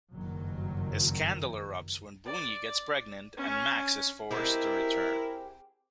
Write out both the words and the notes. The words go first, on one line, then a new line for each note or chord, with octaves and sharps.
A scandal erupts when Boonyi gets pregnant and Max is forced to return.
F#1 G2 D#3 F#3
D5
C#4
G#3 C4 E4 G4 A#4